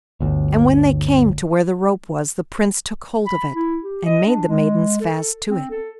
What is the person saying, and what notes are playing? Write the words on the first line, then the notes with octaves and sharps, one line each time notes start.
And when they came to where the rope was, the Prince took hold of it and made the maidens fast to it.
G1 D2
B5
E4
G4
D#5
D4
G#3
A4
C4
A4